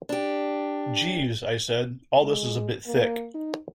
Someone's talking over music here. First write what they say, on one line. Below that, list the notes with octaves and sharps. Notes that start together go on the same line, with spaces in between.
"Jeeves," I said, "all this is a bit thick."
D4 G4
G#3
A#3
D#4